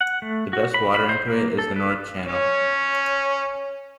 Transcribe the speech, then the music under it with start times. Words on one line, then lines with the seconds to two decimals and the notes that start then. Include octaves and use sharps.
The best water into it is the North channel.
0.01 F#5
0.22 A3
0.53 F#4
0.74 B5
0.95 B5
1.09 C5
1.28 A#3
1.59 A4
1.76 B4
2.26 C#4 C#5